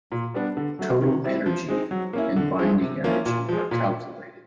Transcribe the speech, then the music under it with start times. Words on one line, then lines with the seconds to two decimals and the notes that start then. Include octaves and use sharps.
Total energy and binding energy are calculated.
0.12 A#2
0.34 G3 B3 D4
0.57 D3
0.79 F#3 A3
1.01 D#3
1.24 G3 C4 E4
1.46 F3
1.68 G#3 C4 D#4
1.91 F#3
2.13 A#3 C#4 E4
2.36 D3
2.58 F3 G#3 C4 E4
2.81 C3
3.04 F3 A#3 C#4 E4
3.26 A#2
3.49 F3 G#3
3.71 A#2